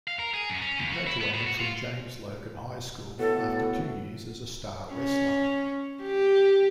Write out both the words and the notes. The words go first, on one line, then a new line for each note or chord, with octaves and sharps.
He graduated from James Logan High School after two years as a star wrestler.
F5
A#4
G#4
F#2
C#4
D#2
F#4
E4
B3
A2
F#4
F4
A2 B3 F#4 A4
C#4
G4